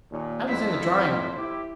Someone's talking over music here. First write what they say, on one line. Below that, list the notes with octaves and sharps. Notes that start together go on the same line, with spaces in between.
"I was in the drawing-room."
D#2 A#2
F2 E4 C5
E4 G4